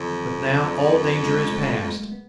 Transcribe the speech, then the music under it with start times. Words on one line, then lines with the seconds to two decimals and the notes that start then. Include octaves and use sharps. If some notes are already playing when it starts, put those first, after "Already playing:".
But now all danger is past.
Already playing: F2 D3 D#3 F3 F#3
0.12 G3
0.34 F#3
0.64 F#3
0.94 G3
1.23 G#3
1.52 A3
1.82 A#3
2.12 B3